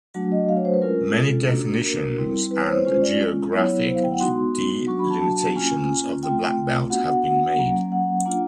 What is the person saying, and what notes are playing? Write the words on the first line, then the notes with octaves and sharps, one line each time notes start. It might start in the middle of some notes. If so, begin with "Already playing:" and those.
Many definitions and geographic delineations of the Black Belt have been made.
F#3 A3 D4 F#4
D#5
F5
C#5
C5
B4
G#3 C#4 F4 A#4
A4
A#3 D4 F#4
A#4
G3 C4 E4
B4
C#5
C5
B4
G#3 C#4 F4 C5
D5
F#3 B3 E4 C#5
C5
F5
G5
F#5
G#3 B3 D#4 F#4 C6
F#3 A#3 D4 F#4 C#6
B5
A5
A5
A#3 C#4 F4 G#5
A3 C4 F4 G5
B3 D4 F#4 F#5
F#5
F#5
F#3 A#3 C#4
F#5
A#3 D4 F4